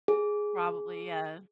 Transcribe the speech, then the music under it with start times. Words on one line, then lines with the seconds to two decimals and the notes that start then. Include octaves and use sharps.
Probably, yeah.
0.08 G#4